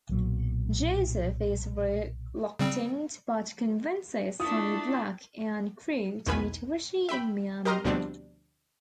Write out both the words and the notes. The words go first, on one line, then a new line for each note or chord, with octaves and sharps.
Joseph is reluctant but convinces Sonny Black and crew to meet Richie in Miami.
B1 A#2 F#3
C#3 G3 C4
A3 D4 E4 F4 D#6
B1 E2 D#3 B4 G#5 B5
E5 G5 B5
G4 A#4 D#5 A#5 C6 F6
D2 B2 F3 G3 C4 D4